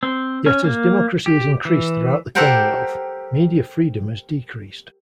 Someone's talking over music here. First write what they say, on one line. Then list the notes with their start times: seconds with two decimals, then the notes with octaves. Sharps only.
Yet as democracy has increased throughout the Commonwealth, media freedom has decreased.
0.03 C4
0.46 C#4
0.64 A#3
1.26 G4
1.65 E3
2.35 G4 A4 A#4 C5 F#5 G5